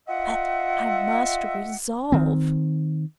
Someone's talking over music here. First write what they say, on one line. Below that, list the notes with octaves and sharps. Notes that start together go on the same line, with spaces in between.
But I must resolve.
F4 D#5 E5 F#5
D#3 C4